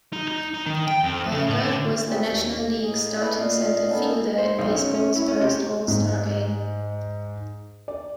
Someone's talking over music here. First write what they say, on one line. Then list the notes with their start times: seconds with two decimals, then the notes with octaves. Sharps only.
Berger was the National League's starting center fielder in baseball's first All-Star Game.
0.13 D#4
0.28 D#4
0.54 D#4
0.66 D#3
0.87 G5
1.03 F2
1.32 C#3
1.47 A2
1.64 D3
2.06 G3 G#3 A#3 C4 F4 G#4
2.24 D#2 B2
2.80 A2 A#3 G#4 D#5
3.20 E4 A4 B4 D5 D#5
3.37 A#2 D#5 F5
3.89 B3 C#4 D#4 A4
4.38 C5
4.59 B1
4.75 C#4
4.94 C#4
5.15 E4
5.28 C#4
5.41 C3
5.88 G#2
7.88 D5